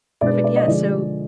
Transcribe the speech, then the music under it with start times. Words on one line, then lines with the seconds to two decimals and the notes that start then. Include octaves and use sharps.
Perfect, yeah, so,
0.21 B2 G#3 D4 D5
0.32 B4
0.44 D5
0.56 D#5
0.66 D3 F3 G#3 D5